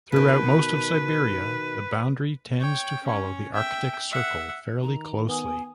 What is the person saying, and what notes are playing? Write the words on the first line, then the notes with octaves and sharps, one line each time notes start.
Throughout most of Siberia, the boundary tends to follow the Arctic Circle fairly closely.
B2 D#3 B4
C#5 G5
C#4 C#5
E5 G5
E5 F#5
D#3 A#5
B3 G#5 D#6